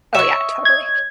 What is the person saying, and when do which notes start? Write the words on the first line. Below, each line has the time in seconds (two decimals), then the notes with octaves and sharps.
Oh, yeah, totally.
0.14 C#5 D#5 E5 C#6
0.65 G#6